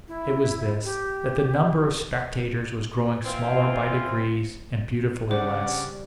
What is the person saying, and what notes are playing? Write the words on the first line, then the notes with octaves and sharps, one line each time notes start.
It was this--that the number of spectators was growing smaller by degrees and beautifully less.
E4
G4
E3 C4 F4
C#3 G3 D4 C5 F#5